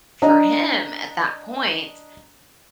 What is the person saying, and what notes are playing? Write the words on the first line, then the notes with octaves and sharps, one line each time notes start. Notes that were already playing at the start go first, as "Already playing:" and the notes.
for him, at that point
D4 D#5 A#5